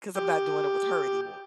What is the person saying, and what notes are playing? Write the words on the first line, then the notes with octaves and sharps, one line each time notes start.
'cause I'm not doing it with her anymore,
G4